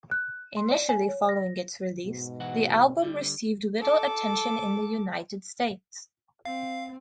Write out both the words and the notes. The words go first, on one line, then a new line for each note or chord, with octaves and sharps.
Initially following its release, the album received little attention in the United States.
F#6
C6
D5
G#5
C#5
A#6
G#2 B2
E3 F#4 F#5
D3 G3
A4 D6
C4 F5